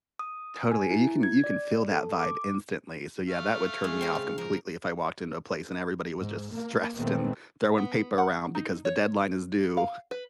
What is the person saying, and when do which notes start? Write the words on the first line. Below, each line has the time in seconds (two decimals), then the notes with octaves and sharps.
Totally, you can you can feel that vibe instantly, so, yeah, that would turn me off completely if I walked into a place and everybody was just stressed, and throwing paper around because the deadline is due.
0.19 D#6
0.72 G#5
0.91 E4
1.23 G#6
1.44 D5
1.91 A4
2.19 D6
3.28 A3 F5
3.84 G#3
4.01 C4 C5
4.15 C#3
4.38 F3 A#4
6.18 G#2
6.54 A#3
6.96 A#2 D#3 G#3 A3 B3 C4
7.78 B3
8.18 F#5
8.55 D#4
8.85 C#5
9.77 F5
10.11 B4